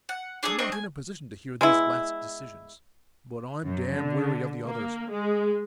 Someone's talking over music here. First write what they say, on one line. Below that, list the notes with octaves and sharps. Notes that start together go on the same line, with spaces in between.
I'm not in a position to hear these last decisions, but I'm damn weary of the others.
F#5
D4 G#4 A4 D#6
C4 D4 D#5 C#6
G#5
G#3 B3 E4
F#2
D3
A#3
G#3